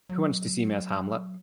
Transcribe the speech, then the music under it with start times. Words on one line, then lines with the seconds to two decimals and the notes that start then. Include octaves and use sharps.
Who wants to see me as Hamlet?
0.09 F#3